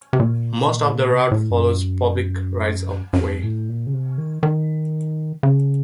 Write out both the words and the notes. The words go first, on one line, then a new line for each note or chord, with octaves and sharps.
Most of the route follows Public Rights of Way.
C3
A#2
A2
A#2
C3
A2
F#2
F#2
F2
A2
A#2
C#3
C3
D#3
D#3
C#3